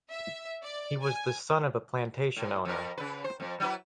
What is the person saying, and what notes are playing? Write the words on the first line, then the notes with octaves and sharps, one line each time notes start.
He was the son of a plantation owner.
E5
D5
G#5
A2
F2 A#4
C#3 B4
C5
F2
F#3 E4 B4